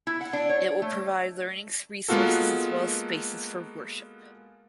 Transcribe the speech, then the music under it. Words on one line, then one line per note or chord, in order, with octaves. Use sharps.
It will provide learning resources as well as spaces for worship.
E4
F#5
D4
C#5
A3
G#3 A#3 B3 F4 F#4 A4